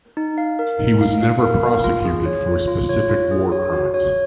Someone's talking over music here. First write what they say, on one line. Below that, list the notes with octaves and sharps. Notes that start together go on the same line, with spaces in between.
He was never prosecuted for specific war crimes.
D#4
F5
A#4
D#4
F5
F5
A#4
F5
F4
G#4
C#5
F4
F4
C#5
F4
G#4
C#5
F#4
C#5